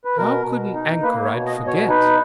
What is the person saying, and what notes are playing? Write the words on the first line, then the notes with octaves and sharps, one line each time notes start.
How could an anchorite forget!
B4
B2 A#4
B2
D#4
A#3 B4
C#5
B2
D#5
B2
C#5
D#4 B4